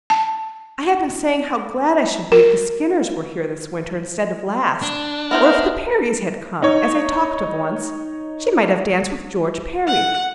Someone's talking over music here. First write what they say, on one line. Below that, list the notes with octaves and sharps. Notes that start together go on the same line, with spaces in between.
I have been saying how glad I should be if the Skinners were here this winter instead of last; or if the Parrys had come, as they talked of once, she might have danced with George Parry.
A5
A#4
D4
B3 E4 A#4 C5
D#4 C#5
F#5